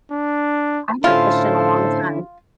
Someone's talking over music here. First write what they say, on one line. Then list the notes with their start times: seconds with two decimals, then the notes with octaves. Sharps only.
I haven't fished in a long time.
0.11 D4
1.04 A2 D3 C#4 E4 F4 A4 C5